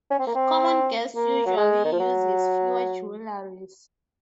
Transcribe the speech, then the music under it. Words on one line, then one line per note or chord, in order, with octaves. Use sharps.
Common guests usually uses fewer jewelries.
C#4
C4
A#3
C4
A#3
F#3
G#3
D#3
F3
F#3